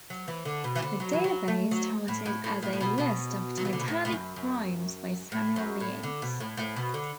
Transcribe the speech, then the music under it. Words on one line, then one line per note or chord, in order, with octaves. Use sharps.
The database started as a list of titanic primes by Samuel Yates.
F#3
E3
D3
B2
E3
D3
F#3
E3
F#3
A3
F#3
A2
A2
A2
A2
A2
B2
B2
F#3
E3
D3
B2
A2
A2
F#2
F#2
A2
F#2
A2
D3
B2
A2
A2
B2
D3